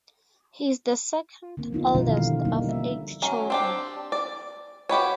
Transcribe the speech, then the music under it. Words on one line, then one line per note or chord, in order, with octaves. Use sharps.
He is the second oldest of eight children.
D3 A#3 C4
F3 B3 D#4 F4
B2 D3 D#3 F3 G3 E4
F5
F#3 G3 A#3 C#4 D#4
E5
F#3 C#4
C4 D4 G4
D5
F#4 G4 B4 C#5